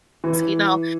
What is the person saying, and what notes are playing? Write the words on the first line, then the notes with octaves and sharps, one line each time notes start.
you know?
E3